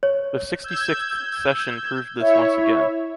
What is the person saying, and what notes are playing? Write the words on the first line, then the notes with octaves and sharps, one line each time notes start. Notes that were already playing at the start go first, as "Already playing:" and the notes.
The sixty-sixth session proved this once again.
C#5
E6 G6 G#6
E4 C#5 E5